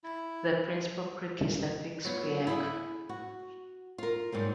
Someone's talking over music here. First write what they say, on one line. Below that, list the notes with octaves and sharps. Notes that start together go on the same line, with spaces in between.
The principal creek is the Pixquiac.
E4
F#3 B3 F4
E4 G#4
F#4
F4 A#4
G#2 F#3 G3 A#3